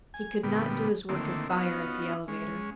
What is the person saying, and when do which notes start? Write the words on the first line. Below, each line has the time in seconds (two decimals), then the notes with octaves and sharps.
He could not do his work as buyer at the elevator.
0.14 G#5
0.43 A#2 D3 G3 B3
1.09 D3 D#3 A3 A#3 C4 E4
1.50 B3 C#4 D#4 F4 F#4
2.28 G#3 C#4